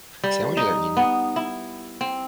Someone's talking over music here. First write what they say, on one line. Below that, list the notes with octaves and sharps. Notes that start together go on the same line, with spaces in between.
Sandwiches are eaten
G3
D#4
B3
E4
C4